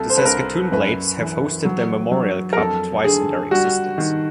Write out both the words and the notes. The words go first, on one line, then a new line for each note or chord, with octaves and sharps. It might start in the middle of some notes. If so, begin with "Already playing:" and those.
The Saskatoon Blades have hosted the Memorial Cup twice in their existence.
Already playing: C2 A4
C5
B4
C2 A#4
F#2 B4
E3
F#3
F#3
A#4
F2 A4
D3 G#4
G3 F#4
D#3